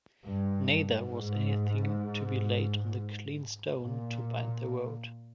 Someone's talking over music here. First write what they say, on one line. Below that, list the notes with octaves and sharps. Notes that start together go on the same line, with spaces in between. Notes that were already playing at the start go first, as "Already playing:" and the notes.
Neither was anything to be laid on the clean stone to bind the road.
G2
G#2
A#2